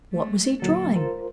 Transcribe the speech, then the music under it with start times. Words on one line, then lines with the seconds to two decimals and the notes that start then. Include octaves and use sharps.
What was he drawing?
0.12 G#3 A3
0.62 D2 A#2 F#3 A#3 A4
0.96 G#2 F4 A#4 C5